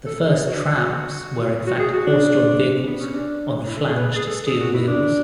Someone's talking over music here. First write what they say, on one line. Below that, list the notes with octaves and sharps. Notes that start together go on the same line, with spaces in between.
The first "trams" were in fact horse-drawn vehicles on flanged steel wheels.
A4
G#4
F#4
D4
F#4
F#4
G#4
F#4
D4
B3
C#4
D4
E4
A4
G#4
B4
G#4
A4
G#4
F#4
E4
D4